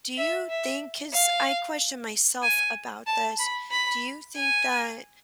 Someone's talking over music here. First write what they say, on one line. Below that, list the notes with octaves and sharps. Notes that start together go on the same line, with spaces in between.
Do you think- 'cause I question myself about this- do you think that
E5
E5
F5
G#5
A5
B5
B5
G#5